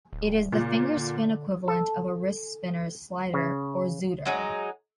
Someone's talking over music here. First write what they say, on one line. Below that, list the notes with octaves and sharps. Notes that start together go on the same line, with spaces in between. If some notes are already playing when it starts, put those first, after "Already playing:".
It is the finger spin equivalent of a wrist spinner's "slider" or "zooter".
D1
A#2 C#3
D3
A4
C#3
F#3 G#3 D#4